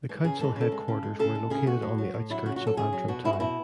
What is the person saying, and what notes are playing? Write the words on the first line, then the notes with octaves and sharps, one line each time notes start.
The council headquarters were located on the outskirts of Antrim town.
E3 G#3
C#3 G#4
E3 G#3 A4
C#3 A4
G#3
C#3
G#3
C#3 A4
G#3
C#3 G#4
G#3 F#4
A2
F#3
A2
F#3 E4
C#3 F#4
F#4
F#3
A4
C#3 G#4
F#3
B2 F#4
G#3 E4
F#4
B2 E4